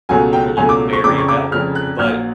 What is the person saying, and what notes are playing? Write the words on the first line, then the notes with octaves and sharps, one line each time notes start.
I'm a little bit wary about, but
C#2 B2 F#3 A3 G#5
G5
C#2 B2 F#3 A3 G#5
D6
C#6
F1 F2 C#3 D6
C#6
D6
F1 F2 C#3 F6
F#6
A#1 A#2 F#3 F6